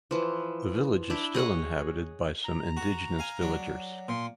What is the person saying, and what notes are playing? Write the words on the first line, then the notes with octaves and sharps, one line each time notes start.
The village is still inhabited by some indigenous villagers.
E3 F3
D4 E4
G#4 C#5 D#5 F#5
A#5
F#4
F5 G#5
F#3 D4
A#2 C6